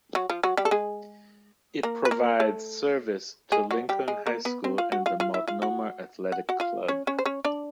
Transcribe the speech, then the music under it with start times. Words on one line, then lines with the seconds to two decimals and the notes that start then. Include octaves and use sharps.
It provides service to Lincoln High School and the Multnomah Athletic Club.
0.15 F#3 F#4
0.30 F3 F4
0.43 F#3 F#4
0.57 G3 G4
0.65 A4
0.71 G#3 G#4
1.83 A#3 A#4
2.05 B4
2.11 A#3 A#4
2.40 A3 A4
3.52 G#3 G#4
3.71 F#3 F#4
3.89 G3 G4
4.08 G#3 G#4
4.27 A#3 A#4
4.45 B3 B4
4.64 C4 C5
4.78 F4 F5
4.92 F#4 F#5
5.06 F4 F5
5.20 F4 F5
5.34 E4 E5
5.48 F4 F5
5.62 F#4 F#5
6.32 F#5
6.49 F#4 F#5
6.60 F4 F5
6.88 C#4 C#5
7.07 C#4 C#5
7.19 C5
7.25 C#4 C#5
7.45 D4 D5